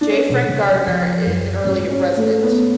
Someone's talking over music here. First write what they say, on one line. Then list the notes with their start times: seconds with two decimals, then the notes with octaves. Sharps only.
J. Frank Gardner, an early resident.
0.01 D4
0.10 C#4
0.29 B2
0.48 C#3
0.68 F#3
0.87 F3
1.26 F#2
1.64 G#2 C#4
1.91 C#4
2.17 A3
2.43 B3